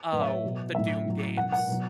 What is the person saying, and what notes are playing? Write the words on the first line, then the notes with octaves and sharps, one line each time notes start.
oh, the Doom games.
A2 F#3 B4 E5
C#5
B2 F#3
A2 F#3 E5
A2 F#3
B2 F#3 F#5
F#5
B2 F#3